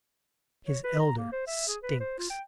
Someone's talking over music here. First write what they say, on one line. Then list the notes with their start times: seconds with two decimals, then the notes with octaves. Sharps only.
"His elder stinks."
0.67 C#5
0.84 B4
0.99 A#5
1.18 A#3
1.32 C5
1.47 E5
1.68 G#4
1.83 B4
2.01 C5
2.18 F4
2.30 G5